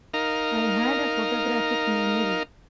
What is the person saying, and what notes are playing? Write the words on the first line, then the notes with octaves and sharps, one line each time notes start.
I had a photographic memory.
D#4 A#4 F5